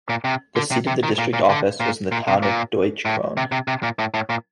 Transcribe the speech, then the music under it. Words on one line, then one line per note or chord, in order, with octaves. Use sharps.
The seat of the district office was in the town of Deutsch Krone.
A#2
C3
D3
C3
C3
D#3
A#2
A#2
D3
A#2
A#2
C3
A#2
A2
C3
C3
C3
A#2
A2
A2
A#2